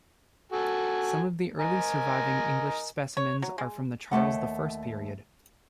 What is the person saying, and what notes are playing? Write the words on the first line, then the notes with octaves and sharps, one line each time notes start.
Some of the early surviving English specimens are from the Charles the First period.
F#4 A4 G#5
A#4 D#5 G#5
C#5
F#3
G#3
D#2 F#3 A3 F#5